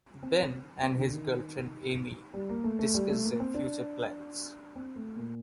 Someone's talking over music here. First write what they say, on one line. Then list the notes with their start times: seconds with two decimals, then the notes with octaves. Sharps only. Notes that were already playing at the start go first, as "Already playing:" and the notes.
Ben and his girlfriend Amy discuss their future plans.
0.23 C4
0.82 C4
0.98 D3
1.13 D#3
2.34 G3
2.49 A#3
2.64 A3
2.79 A3
2.94 G3
3.09 A3
3.24 A#3
3.40 C4
3.54 D4
4.76 C4
4.96 A3
5.16 A#2